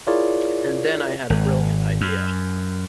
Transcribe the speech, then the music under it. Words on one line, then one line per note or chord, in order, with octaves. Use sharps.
And then I had a brilliant idea.
E4 F4 G#4 A#4 C#5 D5
G#1
F#2